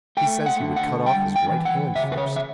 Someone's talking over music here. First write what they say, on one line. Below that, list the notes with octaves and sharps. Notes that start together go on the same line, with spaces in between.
"He says he would cut off his right hand first."
A3 G5
F#5
D3
F#5
G3 G5
G5
E3
F#5
C#3 E5
B4
C#5
E5